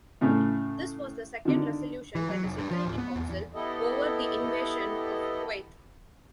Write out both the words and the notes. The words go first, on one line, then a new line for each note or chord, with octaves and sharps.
This was the second resolution by the Security Council over the invasion of Kuwait.
A2 C#3 A3
D3 D#3
E3
F#3
F1
G2
F3
D1
B3
E2
E2
B3 E4 G4 A4 D#5